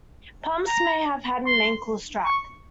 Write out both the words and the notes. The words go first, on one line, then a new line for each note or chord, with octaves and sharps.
Pumps may have an ankle strap.
A#5
C6
C#6